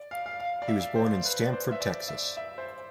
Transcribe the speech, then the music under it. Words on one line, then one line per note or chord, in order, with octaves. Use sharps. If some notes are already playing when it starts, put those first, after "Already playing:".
He was born in Stamford, Texas.
Already playing: D5
F5
F5
F5
D5
E5
C5
B4
D5
C5
E5
D5
E5
E5
C5